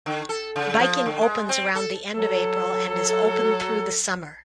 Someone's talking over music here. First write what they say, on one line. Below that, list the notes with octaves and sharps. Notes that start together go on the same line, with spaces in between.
Biking opens around the end of April and is open through the summer.
D3
A4
C#3
F3
D3
G#3
C4
A4
F#3 A4